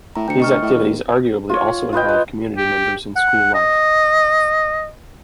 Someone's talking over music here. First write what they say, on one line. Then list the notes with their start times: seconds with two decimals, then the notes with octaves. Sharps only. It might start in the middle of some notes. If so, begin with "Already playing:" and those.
These activities arguably also involve community members in school life.
0.16 A2 A#5
0.28 D2 G5 C#7
0.40 D#5 C#6 F6
0.62 A2
0.74 D#2
1.50 F4 C#5
1.93 F4 B4 D#5 G5
2.09 B4
2.57 G4
3.16 F#5
3.55 D#5